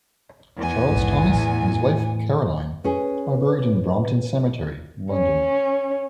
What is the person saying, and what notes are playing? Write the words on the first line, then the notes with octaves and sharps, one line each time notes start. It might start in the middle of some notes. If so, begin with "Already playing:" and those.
Charles Thomas and his wife Caroline are buried in Brompton Cemetery, London.
E2 B3 G#5
A#1 G#2
A2 E3
C#4 G#4 B4
C#4